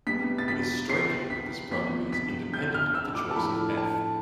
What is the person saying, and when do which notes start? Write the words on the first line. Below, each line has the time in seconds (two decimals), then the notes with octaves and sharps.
It is striking that this property is independent of the choice of "f".
0.07 C3 G3 B3 B6
0.38 A6
0.48 B6
0.89 C7
1.30 B6
1.71 C3 F3 B3 B6
2.13 B6
2.54 G6
2.74 F6
2.95 E6
3.05 E6
3.15 D6
3.31 A5
3.36 A2 F3 A3 B5
3.77 A5